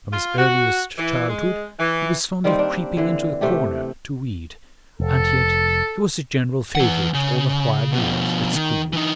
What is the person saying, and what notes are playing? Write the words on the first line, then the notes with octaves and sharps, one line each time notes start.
From his earliest childhood he was fond of creeping into a corner to read, and yet he was a general favorite all the while he was at school.
F4
F#4
E3
G#3
E3
D#3 G3 A#3 C4
D4
D3 E3
C3 A3 G4
F1 A4
E3 F#5
C#3
B2 F3
D#3
E3 D#4